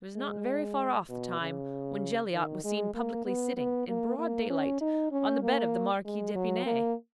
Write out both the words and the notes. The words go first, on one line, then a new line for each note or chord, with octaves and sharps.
It was not very far off the time when Jelyotte was seen publicly sitting, in broad daylight, on the bed of the Marquise d'Epinay.
G#3
B2
C#3
D#3
G#3
A#3
B3
B3
A#3
A#3
C#4
D#4
C#4
A#3
G#3
F#3
A#3